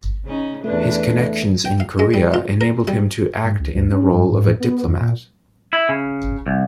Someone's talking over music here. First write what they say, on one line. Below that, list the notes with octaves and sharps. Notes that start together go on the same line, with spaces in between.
His connections in Korea enabled him to act in the role of a diplomat.
C#3 C#4 D#4
E2 A3 D4 B4
G5
F5
G#3
G3
F4
A#4
G3
G#2
C#2
D2
C#4
G2
G#2
A2
B3
F2
A#2
E4
C#3
C2